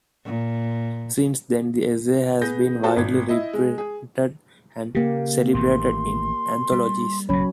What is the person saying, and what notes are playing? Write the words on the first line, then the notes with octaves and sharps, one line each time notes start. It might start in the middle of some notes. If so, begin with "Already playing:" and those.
Since then the essay has been widely reprinted and celebrated in anthologies.
A#2
B3 G#4 G6 A#6
F4 F#4 A4 C5 A5
G#1 B2 G#6
E4 D#5
G#3
G#4
C#3 A#3 G4
A1 A2 D#3 C6
G3
F#1 B2 F#3 C#4 C#5 B5